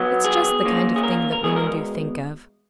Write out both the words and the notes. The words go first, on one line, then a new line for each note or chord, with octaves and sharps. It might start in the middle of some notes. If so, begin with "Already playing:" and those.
"It's just the kind of thing that women do think of."
Already playing: B1 B2 F#3 B3
G#4
A#2 A#3 C#4
G#4
A#4
A#4
E2 B2 G#3 G#4
A#4